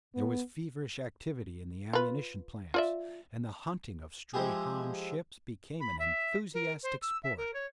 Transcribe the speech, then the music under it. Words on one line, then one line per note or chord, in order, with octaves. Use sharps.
There was feverish activity in the ammunition plants, and the hunting of stray Han ships became an enthusiastic sport.
B3
F4 B4
F4 D5 E5
F3 G#3 E4 G4 G#4
B5
E5
A#4
C5
E6
E5
A#4
C#5